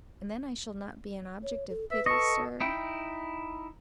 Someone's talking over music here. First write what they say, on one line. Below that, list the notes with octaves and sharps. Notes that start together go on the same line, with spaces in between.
"And then I shall not be an object of pity, sir?"
C#5
A4
B4 E5
A4 D#5 C#6
D#4 E4 G5